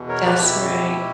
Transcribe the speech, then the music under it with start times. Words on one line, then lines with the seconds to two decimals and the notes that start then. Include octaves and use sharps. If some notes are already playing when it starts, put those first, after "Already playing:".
That's right.
Already playing: E2 B2
0.09 A#4 C#5
0.25 G4 B4
0.41 E2 B2 E4 G4
0.94 B2